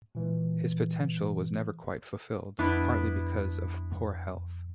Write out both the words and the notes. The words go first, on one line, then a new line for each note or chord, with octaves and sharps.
His potential was never quite fulfilled, partly because of poor health.
A#2 E3 G#3
F2 B3 D4 E4